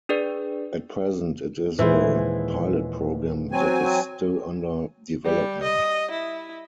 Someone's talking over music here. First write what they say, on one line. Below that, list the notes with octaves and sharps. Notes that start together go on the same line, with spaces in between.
At present it is a pilot program that is still under development.
D4 G#4 B4 D5
D#1 E3 G#3 E4 C5
F#3 C4 G#5
G3
D#5
E4